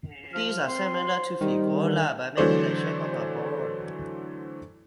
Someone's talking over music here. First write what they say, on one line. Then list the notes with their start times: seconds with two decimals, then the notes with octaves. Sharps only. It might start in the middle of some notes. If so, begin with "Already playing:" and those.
These are similar to figolla but made in the shape of a bone.
0.33 F3 F6
0.68 C4 C6
1.09 C5
1.41 D#3 G3
1.74 D3
2.37 D3 E3 F#3 A3 C5 D5